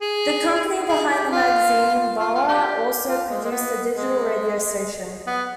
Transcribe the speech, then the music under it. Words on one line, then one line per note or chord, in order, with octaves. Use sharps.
The company behind the magazine, Bauer, also produced a digital radio station.
G#4
G#4
G4
F4
F4
F4
G4
F4
G#3
G#3
B3
G#3
B3